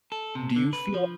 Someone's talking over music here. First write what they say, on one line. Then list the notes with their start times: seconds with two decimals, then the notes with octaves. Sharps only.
do you feel
0.12 A4
0.35 C3
0.56 D3
0.73 B4
0.94 F3